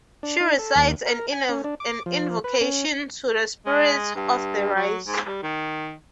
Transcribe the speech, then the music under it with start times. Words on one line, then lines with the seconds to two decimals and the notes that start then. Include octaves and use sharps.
She recites an invocation to the spirits of the rice.
0.23 D4
0.40 D#4
0.59 A4
0.76 D#2
1.06 A#4
1.32 G#5
1.49 C#4
1.64 D4
1.80 D6
2.06 F3
2.44 B4
2.61 C#4
3.66 G#3
4.15 G2
4.76 F#3
5.07 G#2
5.27 G3
5.43 D#3